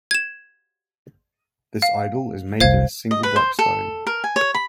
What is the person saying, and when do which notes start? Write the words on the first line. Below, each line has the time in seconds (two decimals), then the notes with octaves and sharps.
This idol is made in a single black stone.
0.11 G#6 E7
1.82 F5
2.60 F1 C2 C5 F5 G#6
3.11 D#5
3.23 B4
3.36 C5
3.59 A4
4.07 A#4
4.24 G#5
4.36 C#5
4.54 B5